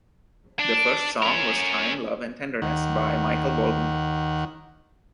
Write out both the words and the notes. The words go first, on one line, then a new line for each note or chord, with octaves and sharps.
The first song was "Time, Love and Tenderness" by Michael Bolton.
D4
C#4 A#4
D#2 D#3 F#5